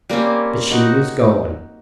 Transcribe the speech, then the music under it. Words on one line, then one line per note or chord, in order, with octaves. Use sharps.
But she was gone.
G3 A#3 C4 C#4
D#4 F#4